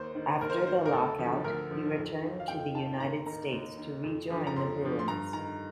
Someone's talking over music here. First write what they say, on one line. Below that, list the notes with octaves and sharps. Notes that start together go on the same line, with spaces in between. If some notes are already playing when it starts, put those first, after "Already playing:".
After the lockout, he returned to the United States to rejoin the Bruins.
Already playing: D#2 C5
D#3
D#2 A#4
C5
A#4
D#3 C5
A#4
D2 A4
D3 F3
D2 A#4
D3 F3
F2
D#3
F5
F2 G5
D#3 A5
D#2 A#5
D#3 A#5
D#2
D#3
F2
D3 F3
A#5
F2 C6
D3 F3
C6
G2 A#5
D#3 A#5